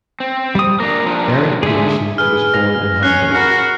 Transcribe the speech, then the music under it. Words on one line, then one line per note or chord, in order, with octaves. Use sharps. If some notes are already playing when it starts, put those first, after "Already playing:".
Erik Peterson was born in Hamburg.
C4
G3 D#6
A#3 D4 A#5
F3 G3 D4
D3 G#3 D4 G#4 E5
G#4 B4 F6
F5 A#6
C#4 F#6 C7
F#4 A#4 B5